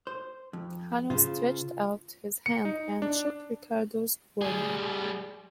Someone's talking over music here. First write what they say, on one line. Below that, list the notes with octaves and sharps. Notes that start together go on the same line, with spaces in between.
Hanaud stretched out his hand and shook Ricardo's warmly.
C5
F2
C#3 F4 C5
C#7
D#4
D4
G3 G#4